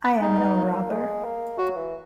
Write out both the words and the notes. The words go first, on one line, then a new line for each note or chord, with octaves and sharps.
I am no robber.
G#3 D#4
B3
A#3
A#3
G#3
A#3
F#3 F#4
E3